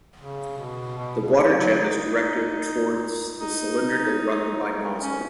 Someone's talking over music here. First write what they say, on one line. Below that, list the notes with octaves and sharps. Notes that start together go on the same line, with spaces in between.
The water jet is directed towards the cylindrical runner by nozzle.
C#3
B2
B2
C#3
F#3
D#4
D#4
C#4